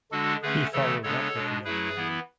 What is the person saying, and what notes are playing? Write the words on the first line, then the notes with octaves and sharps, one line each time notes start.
He followed up with the young man.
D3 G#3 D4 F#4 A4
D3 A3 C#4 G#4 B4
C#3 E3 A3 A4 C#5
C#3 G#3 B3 D4 A4 C#5
B2 G#3 D4
F#3 A3 E4 G#4 B4
E3 B3 E4